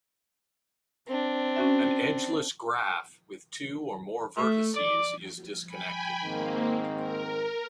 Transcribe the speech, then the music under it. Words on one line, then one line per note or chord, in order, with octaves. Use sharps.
An edgeless graph with two or more vertices is disconnected.
C4 D4
C#4 F#4 E5
A3 E5
D5 D6
G5 G#5 B5
G#2 D#3 A#3 C4
A#4